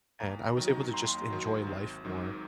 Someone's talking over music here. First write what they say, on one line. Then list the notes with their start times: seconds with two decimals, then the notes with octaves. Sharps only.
and I was able to just enjoy life more
0.20 D#2 A#5
0.45 A#5
0.57 D#3 F#3
0.70 A#5
0.94 D#2 C6
1.30 D#3 F#3
1.67 G#1
2.05 G#2 D#3 F#3